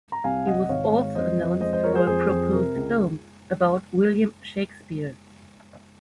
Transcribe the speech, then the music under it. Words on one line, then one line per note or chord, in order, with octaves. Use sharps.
He was also announced for a proposed film about William Shakespeare.
A#5
C2 F5 G#5
C2 D#5 F#5
G#1 C#5 F5
G#3
F2 C5 D#5
F2
G#3 C5 D#5
C5 D#5
F3 A#4 C#5
G#4 C5
F2 G#4 C5
F2
C3 A#4
C#2